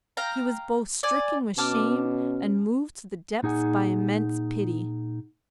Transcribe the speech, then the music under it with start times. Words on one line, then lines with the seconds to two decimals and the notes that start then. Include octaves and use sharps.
He was both stricken with shame and moved to the depths by immense pity.
0.17 F5 G5 A#5
1.03 D5 G#5
1.58 B2 C#4 A5 D6 F6
3.43 A#2 D#4 G#4 F#5 G#5